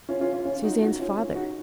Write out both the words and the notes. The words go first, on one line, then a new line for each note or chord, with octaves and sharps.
Suzanne's father!
C#4 F4
C#4 F4
C#4 F4
C#4 F4
D#4 F#4
D#4 F#4
C#4 F4
C#4 F4
D#4 F#4